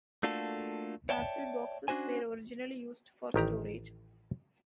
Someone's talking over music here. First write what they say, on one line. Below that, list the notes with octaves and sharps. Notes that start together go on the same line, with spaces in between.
Apple boxes were originally used for storage.
A3 A#3 D4 F4 F#4 A4
C#5 D5 E5 G5 A5
C#4 D4 F#4 C5 G#5
A1 D#3 G4 A#5